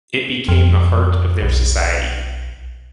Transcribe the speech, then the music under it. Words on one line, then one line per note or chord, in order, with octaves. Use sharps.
It became the heart of their society.
F2
B1